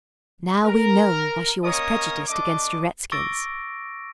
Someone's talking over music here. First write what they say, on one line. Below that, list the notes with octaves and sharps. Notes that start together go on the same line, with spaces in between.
Now we know why she was prejudiced against the redskins.
A#4
A#3 C#4 A#4 C#5 D#5 D#6
A3 D4 D#5 D6
C#6 D6 E6 A6 A#6 D7